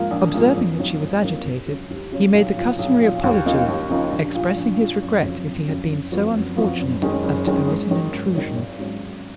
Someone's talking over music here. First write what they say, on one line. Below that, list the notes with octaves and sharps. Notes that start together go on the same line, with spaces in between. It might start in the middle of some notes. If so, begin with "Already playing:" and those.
Observing that she was agitated, he made the customary apologies, expressing his regret if he had been so unfortunate as to commit an intrusion.
Already playing: G#2 F3 A#3
A#1
G#2 F3 A#3
F2
D#3 F#3 A#3
F2
D#3 F#3 A#3
D#2
C#3 F#3
D#2
C#3 F#3
B1
A#2 F3
B1
A#2 F3
D#2
C#3 F3 A#3 D#4
D#2
C#3 F3 A#3 D#4
A#1
A#2 F3
A#1
A#2 F3
F#1
F2 C#3 F#3
F#1
F2 C#3 F#3
F#1
F2 F3 B3 F#4
F#1
F2 F3 B3 F#4
F#1
F#2 D#3 G#3 C#4
F#1
F#2 D#3 G#3 C#4
G#2
D#3 F#3
G#2
D#3 F#3
G#1
G#2 F#3 C#4
G#1